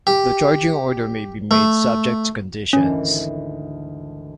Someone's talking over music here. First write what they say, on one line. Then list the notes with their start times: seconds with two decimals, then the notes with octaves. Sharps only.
The charging order may be made subject to conditions.
0.07 G4
1.51 A3
2.73 G#1 D2 E3 C#4